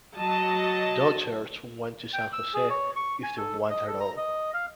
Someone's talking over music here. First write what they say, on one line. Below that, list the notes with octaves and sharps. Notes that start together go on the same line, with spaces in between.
Daughters went to San Jose, if they went at all.
F#3 D#5 A5
G5
E6
G#4
C#5
C#6
G#5
A4
D#5
A4
A#5
D#5
F5